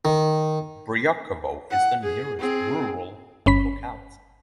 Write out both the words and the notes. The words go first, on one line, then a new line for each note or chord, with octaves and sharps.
Bryokhovo is the nearest rural locality.
D#3
F#5
G#4
C4 G#4
G1 C#4 B5 B6